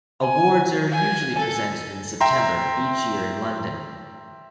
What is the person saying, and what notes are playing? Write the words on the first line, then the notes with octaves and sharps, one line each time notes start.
Awards are usually presented in September each year in London.
G#5
G#5
A4
E5 G5 A#5 C6